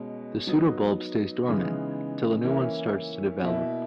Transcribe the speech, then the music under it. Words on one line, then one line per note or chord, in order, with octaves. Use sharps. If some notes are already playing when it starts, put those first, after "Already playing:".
The pseudobulb stays dormant, till a new one starts to develop.
Already playing: B2 G#3 C#4
F#3 B3 D#4
C#3 E3 G#3 B3 D#4
E3 A#3 C#4 E4
B2 A#3 E4